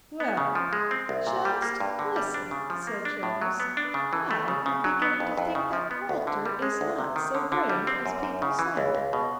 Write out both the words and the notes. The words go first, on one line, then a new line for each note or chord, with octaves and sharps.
'Well, just listen,' said Jonas, 'I am beginning to think that Walter is not so brave as people say.
B3
C#3
F3
G#3
C4
C2
A#2
G3
A#3
G2
D3
G3
D4
C#3
F3
A#3
D4
A2
F#3
B3
D4
C#3
E3
A3
C#3
C#3
F#3
B3
F2
F2
C#3
F3
B3
D2
D3
G3
G#3
D2
C3
D#3
D3
D3
G3
C4
F#2
F#2
C#3
E3
C#2
C#2
B2